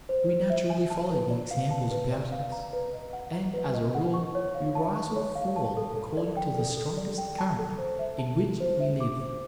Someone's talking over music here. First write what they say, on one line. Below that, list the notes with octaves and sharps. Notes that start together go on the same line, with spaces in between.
We naturally follow the examples about us, and, as a rule, we rise or fall according to the strongest current in which we live.
C5
C5
E5
G#5
A5
B4
D5
F5
A5
B4
D5
F5
A#5
B4
D#5
F#5
A#5
B4
D#5
F#5
C#6
C#5
F5
A5
C#6
C#5
F5
A5
A4
A4
D5
G5
A4
A4
D5
G5
A5
A4
C5
E5
A5
A4
C5
E5
D6
C5